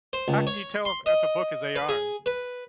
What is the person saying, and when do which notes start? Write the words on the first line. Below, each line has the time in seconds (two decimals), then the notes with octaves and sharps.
How can you tell if, if a book is AI?
0.13 C5
0.28 C#2
0.47 C#5
0.85 C6
1.06 D#5
1.76 B4
1.89 G#4
2.26 B4